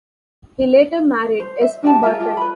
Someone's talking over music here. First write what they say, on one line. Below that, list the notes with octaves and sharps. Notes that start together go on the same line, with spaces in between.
He later married Esme Barton.
C5
E5
F#4 G4 F#5 A5
F4 G#4 A#4 E5
F4 G4 A4
B4 B5